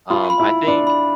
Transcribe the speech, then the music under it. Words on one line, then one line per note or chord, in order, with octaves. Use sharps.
Um, I think
F4 B5
B5
E4
B5
D4 B5
B5